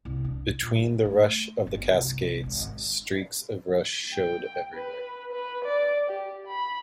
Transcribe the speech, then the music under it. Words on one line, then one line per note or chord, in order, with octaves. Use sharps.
Between the rush of the cascades, streaks of rust showed everywhere.
C2
D4
A#2
A3
G1
C2
G#1
G5
B4
B4
D5
G4
B5